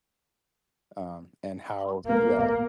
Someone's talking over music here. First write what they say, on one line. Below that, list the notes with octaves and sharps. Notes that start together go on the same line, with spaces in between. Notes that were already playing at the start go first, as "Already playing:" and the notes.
um, and how Yeah,
A#3